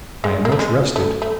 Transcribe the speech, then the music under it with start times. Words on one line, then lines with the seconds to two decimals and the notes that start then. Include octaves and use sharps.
I am much rested.
0.24 G#3
0.45 A#3
0.52 A3
0.59 G#3
0.96 A3
1.22 A3